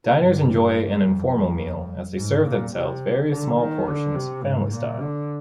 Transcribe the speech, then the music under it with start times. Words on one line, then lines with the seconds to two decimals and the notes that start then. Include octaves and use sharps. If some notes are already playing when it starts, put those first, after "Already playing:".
Diners enjoy an informal meal as they serve themselves various small portions family style.
0.20 G2
1.05 F2
1.33 F2
2.18 G#2
2.46 A#2
2.74 C3
3.30 D3
3.59 D#3
3.87 D3
4.15 C3
4.44 G#2
4.72 A#2
5.00 D3